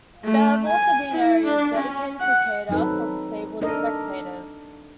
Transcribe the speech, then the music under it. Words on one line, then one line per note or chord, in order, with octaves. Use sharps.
There have also been areas dedicated to cater for disabled spectators.
A3
G#5
E4
D4
C#4
F#5
F#3 C4 D#4 A4 B4
D4 A4 A#4 D#5